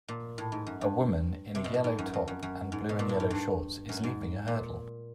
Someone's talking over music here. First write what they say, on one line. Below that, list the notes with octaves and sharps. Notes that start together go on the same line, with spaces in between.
A woman in a yellow top and blue and yellow shorts is leaping a hurdle.
A#2
A2
G#2
F#2
G2
C3
B2
A2
G#2
F#2
F2
F#2
F#2
G#2
B2
A#2
A2
G#2
G2
F#2
G#2
A#2